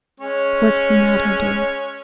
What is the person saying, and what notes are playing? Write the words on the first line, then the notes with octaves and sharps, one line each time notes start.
"What is the matter, dear?"
G#3 C#4 C#5